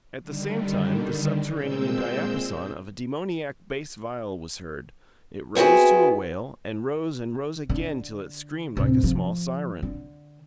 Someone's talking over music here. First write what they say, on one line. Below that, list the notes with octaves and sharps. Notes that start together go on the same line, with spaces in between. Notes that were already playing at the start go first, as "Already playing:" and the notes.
At the same time the subterranean diapason of a demoniac bass viol was heard; it rose to a wail, and rose and rose again till it screamed like a small siren.
D3 D#3 G3
A#2 G#3 C4 E6 G6
B3 C4 E4 F#4 G#4
D3
D1 C3
F3
D3